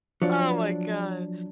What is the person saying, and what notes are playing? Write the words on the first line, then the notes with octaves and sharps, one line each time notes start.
Oh my God.
F3 F#3 D4